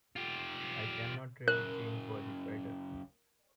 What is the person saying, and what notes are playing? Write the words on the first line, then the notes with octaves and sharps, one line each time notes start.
I cannot really change for the better.
F4 G4
F#2 C#3 A#4 F#6